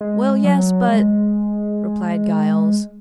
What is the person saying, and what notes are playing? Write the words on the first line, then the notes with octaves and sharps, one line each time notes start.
"Well, yes--but--" replied Giles.
G#3
F#3
G#3